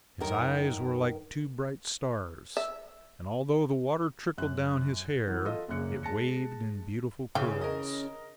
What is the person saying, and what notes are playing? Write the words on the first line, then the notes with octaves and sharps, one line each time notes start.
His eyes were like two bright stars; and although the water trickled down his hair, it waved in beautiful curls.
F#2 D#3 A#4
E5
F#2 F#6
E3 F#3
F4 A4 D#5
A#1 F#2 C#3 A#3 F#6 C#7
G#3 A5 A#6 C#7
C#3 E3 F5 G5
A#4 D#5